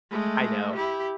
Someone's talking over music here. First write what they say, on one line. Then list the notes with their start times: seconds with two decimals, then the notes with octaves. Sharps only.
I know.
0.10 G#3 A3
0.75 E4 G4